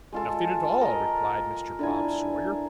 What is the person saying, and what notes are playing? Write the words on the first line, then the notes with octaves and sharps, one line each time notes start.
'Nothing at all,' replied Mr. Bob Sawyer.
G#3 F4 A4
A4 A#4 D#5 A#5
D3 E4 G#5